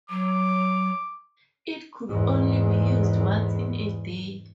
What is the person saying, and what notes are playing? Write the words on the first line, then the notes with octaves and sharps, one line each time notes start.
It could only be used once in a day.
F#3 D6
E2 G#2